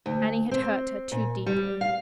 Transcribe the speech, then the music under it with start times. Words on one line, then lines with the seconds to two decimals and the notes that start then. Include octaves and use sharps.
Annie had hurt her too deeply.
0.06 D2
0.51 C4
1.12 A#2
1.46 G3
1.81 F5